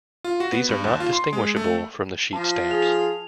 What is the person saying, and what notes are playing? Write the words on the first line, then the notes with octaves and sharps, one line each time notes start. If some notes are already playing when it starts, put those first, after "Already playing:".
These are not distinguishable from the sheet stamps.
F4
F#4
B3
G2
D#2
F4
C6
G#3
A3
F3 F4 A5
G#4 F7